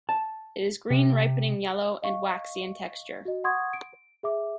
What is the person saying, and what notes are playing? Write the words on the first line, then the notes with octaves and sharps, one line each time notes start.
It is green, ripening yellow, and waxy in texture.
A5
C3
D#5 F5 C#6
F#4 D#5
F#5 C6 C#6 D#6 G#6
D7
G#4 E5 D6